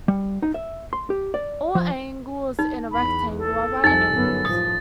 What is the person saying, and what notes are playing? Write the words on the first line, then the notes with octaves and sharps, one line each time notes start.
All angles in a rectangle are right angles.
G3
D#4
E5
C6
G4
D5
F3
D#4
E2 B5
A4
C2 F2 D#4 G#5 A6
G1 F#2 B3
A1 F3 D#6